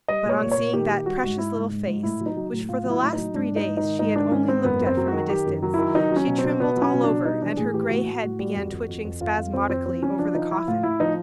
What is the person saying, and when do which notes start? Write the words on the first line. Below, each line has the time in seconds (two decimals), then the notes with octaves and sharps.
But on seeing that precious little face, which for the last three days she had only looked at from a distance, she trembled all over and her gray head began twitching spasmodically over the coffin.
0.08 G3 D#5
0.25 A#2 C#5
0.41 A#2
0.51 C#5
0.57 A#2
0.73 D#3 G4
0.90 D#3
1.06 G3 F#4
1.22 G#2
1.38 G#2 E4
1.55 G#2
1.71 G#2
1.87 G#2
2.03 A2 E4
2.20 F#3
2.26 D#4
2.37 F#3
2.52 A2
2.69 A2 F4
2.85 F#3
2.90 E4
3.01 A2
3.13 F#3 D#4
3.34 G#2 D4
3.51 G#2
3.56 D#4
3.67 G#2
3.77 D#4
3.83 D#3
3.99 G#2 D#4
4.15 D#3 D4
4.32 G#2 C#4
4.48 G#2 C4
4.64 F#2 B3
4.81 F#2
4.86 C4
4.97 F#3
5.08 F#4
5.13 D#3
5.30 D#3 G4
5.46 F#2
5.63 F#3
5.74 D#3 E4
5.95 F#3 D#4
6.11 F#3
6.16 C#4
6.27 B2
6.38 C4
6.44 B2
6.60 B2 B3
6.76 F#3
6.82 C#4
6.93 B2
7.04 D4
7.09 B2
7.25 G3 D#4
7.42 E3 D4
7.57 A2 G#4
7.74 E3 G4
7.90 A2 F#4
8.06 A2
8.23 A2
8.39 G3
8.55 F2
8.72 F2
8.88 F2
9.04 F2
9.21 F2 F4
9.37 F2 F4
9.53 F2 C4
9.70 F2 C4
9.86 F3 C4
10.02 F3 C#4
10.18 F3 D4
10.35 F3 D#4
10.51 F3 E4
10.67 A2 F4
10.83 A2 E4
11.00 F3 D#4